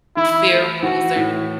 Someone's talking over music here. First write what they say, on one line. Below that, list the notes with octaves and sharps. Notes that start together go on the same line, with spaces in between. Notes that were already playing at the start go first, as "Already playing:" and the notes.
fair rules, or
E3 E4
A3
E3 F#4
A2